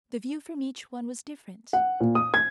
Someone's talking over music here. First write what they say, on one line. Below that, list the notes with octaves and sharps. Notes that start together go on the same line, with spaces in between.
The view from each one was different.
F#5
A#2
D#6
G#6